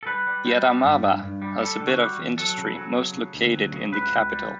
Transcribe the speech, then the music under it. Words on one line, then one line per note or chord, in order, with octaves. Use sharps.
The Adamawa has a bit of industry, most located in the capital.
A4
G3 B4
G3
G3
G3
G2
G2
G2
G3
G3 A4
D3
F#4
G3
E2
F#3 A4
C#3
F#3
C#3
C#3
D2
F#3
C#3
C#2 B4
C#2
G3